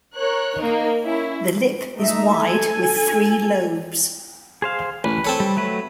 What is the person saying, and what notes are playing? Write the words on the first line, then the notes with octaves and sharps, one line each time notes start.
The lip is wide with three lobes.
A#4 C#5 F#6
A#3 D#4 A#4
C#4 E4
A3 D#4 E5 A#5
A4 G#5
G#4 C5 F5
A1 B4
C4 A4 C#5
G3
F#3 A3 B4